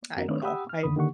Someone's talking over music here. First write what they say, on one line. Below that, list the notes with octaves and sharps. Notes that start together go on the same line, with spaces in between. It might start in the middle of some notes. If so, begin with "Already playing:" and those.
I don't know. I
F#2 B3 C#4 F#4 A#4
D#3 A3 C4 D4 B4 C#5
G4 F#5 G5 B5 D#6 E6
F6
F2 D3 D#3 B5 D#6
D3 D#3 A#3 G4 F#5 C#6